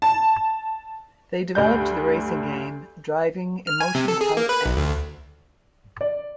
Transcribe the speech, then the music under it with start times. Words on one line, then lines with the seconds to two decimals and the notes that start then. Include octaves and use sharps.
They developed the racing game "Driving Emotion Type-S".
0.02 A5
1.55 D2 G2 D5 G6
3.67 F6
3.80 G#5
3.95 C3
4.08 A4
4.21 G#4
4.37 A#3
4.49 B4
4.66 B1
4.77 D2
6.01 D5